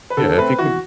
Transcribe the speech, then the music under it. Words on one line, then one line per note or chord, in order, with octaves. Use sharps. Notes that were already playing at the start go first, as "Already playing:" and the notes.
Yeah, if you could
B4
D3 A4
A3 C4 B4
E3 F#4